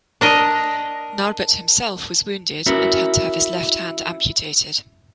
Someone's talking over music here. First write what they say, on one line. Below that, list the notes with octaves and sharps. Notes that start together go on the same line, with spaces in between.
Narbut himself was wounded and had to have his left hand amputated.
D4 A#4 D#5
C#4 E4 F#4 A#4 B4 C#5